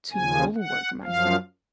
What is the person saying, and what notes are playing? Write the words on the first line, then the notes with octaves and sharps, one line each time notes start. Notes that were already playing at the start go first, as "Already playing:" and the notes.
to overwork myself,
D#2 C#3 F3 G#5
F#5
F#2 F3 F5